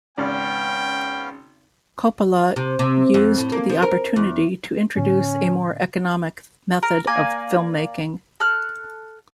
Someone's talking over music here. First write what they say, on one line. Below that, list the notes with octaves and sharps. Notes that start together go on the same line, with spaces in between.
Coppola used the opportunity to introduce a more economic method of filmmaking.
G#1 C#3 B3 C#4 D5 F5 G5
C3
C3
F2
A2
A#3
F3
A#4
E2
A2 D3 B3 C#4
A#4 A#5
A#3 D5 G#5
A4 F6 F#6